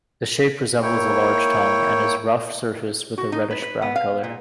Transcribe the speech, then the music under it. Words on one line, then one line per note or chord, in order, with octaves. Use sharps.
The shape resembles a large tongue, and it is rough-surfaced with a reddish-brown colour.
A#3 E4 C#5 G5
F#4
D#4
B4
B4
B3
F5
A#2